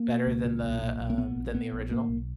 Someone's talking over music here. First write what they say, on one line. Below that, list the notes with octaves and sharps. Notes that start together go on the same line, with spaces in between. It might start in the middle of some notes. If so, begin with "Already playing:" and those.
Better than the, um, than the original?
Already playing: A#3
B2
C#2
A#2
B1
A#2
B1
A#3
A#2 B3
A#1
A#2 B3
A#1
A2 A#3
B1